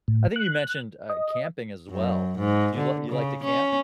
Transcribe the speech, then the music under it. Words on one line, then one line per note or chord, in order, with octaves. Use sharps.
I think you mentioned, uh, camping as well, do you you like to camp?
A2
F#6
D#5
F#2
G#2
D3
C#3
C#4